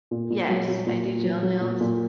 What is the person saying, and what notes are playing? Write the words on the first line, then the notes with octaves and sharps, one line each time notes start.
Yes. I do gel nails,
A#2
A#2
F#3
F#3
A#2
A#2
F#3
F#3
A#2
A#2